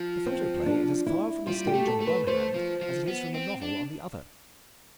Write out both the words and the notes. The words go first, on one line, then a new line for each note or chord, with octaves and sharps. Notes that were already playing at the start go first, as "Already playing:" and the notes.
The photoplay is as far from the stage on the one hand as it is from the novel on the other.
Already playing: F3
C4
D4
E4
G3 F4
G4
A3
A4
A3
B4
A3 C5
F3
F3
B3
C4
D4